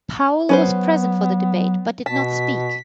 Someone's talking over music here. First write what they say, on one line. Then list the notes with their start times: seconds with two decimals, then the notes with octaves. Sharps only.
Powell was present for the debate but did not speak.
0.49 F#3 B3 C#4 B4 C5
2.06 B2 A5 B6